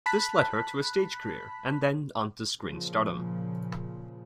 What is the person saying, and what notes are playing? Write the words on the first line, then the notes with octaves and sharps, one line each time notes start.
This led her to a stage career and then on to screen stardom.
A5 B5 F#6 B6
A#2 C#3 F3